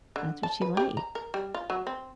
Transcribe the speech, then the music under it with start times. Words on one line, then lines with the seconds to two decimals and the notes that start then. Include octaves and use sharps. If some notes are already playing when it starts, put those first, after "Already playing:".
that's what she likes.
0.16 D3
0.43 A5
0.62 B4
0.77 G4
0.97 A#5
1.15 A#4
1.34 G3
1.54 F4
1.70 F#3
1.87 C4